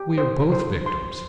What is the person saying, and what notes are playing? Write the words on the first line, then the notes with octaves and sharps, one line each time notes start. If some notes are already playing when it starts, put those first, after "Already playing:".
We are both victims.
Already playing: G4
C5
C5
C6